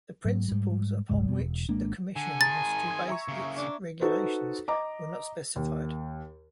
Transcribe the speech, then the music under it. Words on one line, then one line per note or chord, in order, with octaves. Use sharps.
The principles upon which the Commission was to base its regulations were not specified.
G#2 F#3 A#3
G#2 G3
F1 C#2 G#2 G#3
F2 B2
E1
G#1 G#3 A#3 D4
D3 G#5
D#3 G#4 A5 A#5 C6 A6
C6 G#6
E5 A#5 C#6
C#3 A#3
D4
D#4 F#4 A4 B4 C5
D#5 A#5 D6
D#2